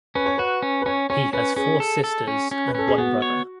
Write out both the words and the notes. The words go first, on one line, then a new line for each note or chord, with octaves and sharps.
He has four sisters and one brother.
C#4 B4
C#5
F#4 B4
C#4
B4
C#4 C#5
C#4 C#5
C#4 B4
C#4 G#4
A4
A4
C#4
C#4
B4
C#4 A4
G#4
B3 F#4
C#5